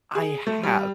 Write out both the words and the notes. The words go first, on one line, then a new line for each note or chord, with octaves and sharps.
I have,
G#4
A3
G3